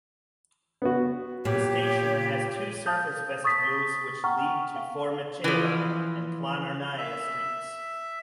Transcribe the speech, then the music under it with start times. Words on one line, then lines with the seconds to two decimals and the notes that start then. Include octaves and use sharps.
The station has two surface vestibules which lead to Fomicheva and Planernaya streets.
0.82 B3 F#4
1.45 A#2 G4 C#5
2.86 F5 A5 D#6 G6
3.44 C#6 D#6 A6 B6
4.24 F#5 G5 A#5 C#6 F6
4.76 F5
5.44 E3 F3
6.98 E5